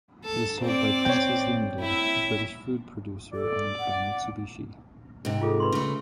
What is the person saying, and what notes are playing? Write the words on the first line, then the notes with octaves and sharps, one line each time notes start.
It is sold by Princes Limited, a British food producer owned by Mitsubishi.
A4
C4 D5
C#5 G5
E4 E5
A4 D5
F#5
G#2 C3
F4 G#4 A4
B4 B5 C6
C#3 A3